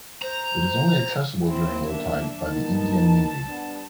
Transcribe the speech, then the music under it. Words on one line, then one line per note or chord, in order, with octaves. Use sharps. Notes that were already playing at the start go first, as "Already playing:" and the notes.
It is only accessible during low tide by the Indian Navy.
C5 A#5
C4 E4
B1 E3 A#3 D4 E5
A#3 B3 D#4 A5
G2 B3 D4